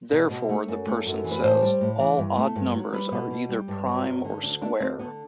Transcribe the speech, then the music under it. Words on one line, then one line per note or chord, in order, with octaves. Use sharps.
Therefore, the person says, all odd numbers are either prime or square.
B2
B2
A3
F#2
A3
F#2
E3
B4
A2 C5
G3
A2
E3
G2
A3
G2
F#3
G3 B4
B2
B2
G3
G2
F#3
G2
D3
D2 D4
A3 D4
D2 C4
D3 B3